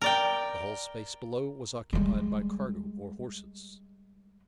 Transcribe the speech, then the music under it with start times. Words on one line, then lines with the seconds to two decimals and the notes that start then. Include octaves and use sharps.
The whole space below was occupied by cargo or horses.
0.01 A#4 D5 G5
1.93 G3 G#3